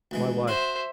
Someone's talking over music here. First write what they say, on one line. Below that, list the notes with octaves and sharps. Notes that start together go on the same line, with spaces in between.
"My wife!"
D2 E3 G#3
F#4 C5 E5